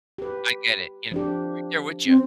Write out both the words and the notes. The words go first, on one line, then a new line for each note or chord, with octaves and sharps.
I get it, you know? I'm right there with ya,
G4 B4
F3 D4 G4
C4